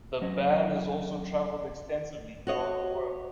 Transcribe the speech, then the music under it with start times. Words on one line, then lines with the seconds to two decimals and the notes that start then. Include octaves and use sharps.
The band has also traveled extensively throughout the world.
0.21 F#3 C#4 D#5
2.47 F#4 C#5 D#5